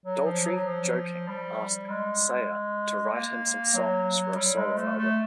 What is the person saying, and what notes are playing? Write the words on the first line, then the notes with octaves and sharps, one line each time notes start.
Daltrey joking asked Sayer to write him some songs for a solo album.
F#3
F3
F#3
F3
G3
G#3
A#3
F#3
G3
G#3
A3
A3